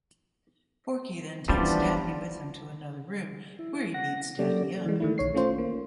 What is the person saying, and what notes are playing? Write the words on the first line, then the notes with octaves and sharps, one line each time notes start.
Porky then takes Daffy with him to another room, where he beats Daffy up.
E3 F3 G3 B3 C#4 D4
E4
F#5 A#6
F#3 A#3 C#4 G4 A4 D5
E3 G#3
D#3 A3 E4
B1 C#5 C7
A3 C#4 F4 C5
A#3